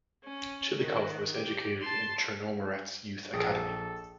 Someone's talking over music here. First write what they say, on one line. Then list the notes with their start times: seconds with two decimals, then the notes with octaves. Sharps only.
Chilikov was educated in Chernomorets's youth academy.
0.24 C#4
0.79 D#3 F#4
1.31 G4
1.81 A5 C6
3.33 A#1 G#4 A4 G5 D#6 G#6